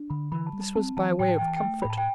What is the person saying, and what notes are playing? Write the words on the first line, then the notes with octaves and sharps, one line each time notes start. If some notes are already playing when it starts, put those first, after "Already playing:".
This was by way of comfort.
Already playing: D4
D3 B5
E3 B5
A5
G3
A5
C4 A5
E3 A5
A2 G5
A5
E3 G5
A5
G5
A3
A2 B5
A5
G5